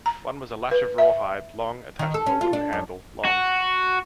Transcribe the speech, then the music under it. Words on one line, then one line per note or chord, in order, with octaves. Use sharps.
One was a lash of rawhide, long, attached to a wooden handle, long.
A#5
B4
E5
D#3
A4
C#4
F4
D4
F#2
F#4